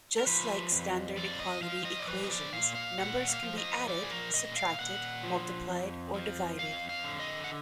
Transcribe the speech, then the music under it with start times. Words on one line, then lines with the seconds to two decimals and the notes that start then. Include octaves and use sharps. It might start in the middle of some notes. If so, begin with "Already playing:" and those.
Just like standard equality equations, numbers can be added, subtracted, multiplied or divided.
0.19 A#4
0.27 F3 B4
0.72 F2
1.17 F2 D5
1.40 D#5
1.62 F3 F5
1.85 D#5
1.99 D5
2.07 F3 B4
2.24 D#5
2.30 D5
2.53 A#2 F5
2.75 F5
2.98 A#2 F#5
3.28 F5
3.43 F3
3.58 D#5
3.88 F3 D5
4.04 G#4
4.11 A#4
4.34 A#2 D#5
4.56 F5
4.79 A#2 F#5
5.23 F3
5.69 F2
6.14 F3
6.59 F2 F5
6.89 F5
7.04 D3
7.20 D#5
7.44 F#5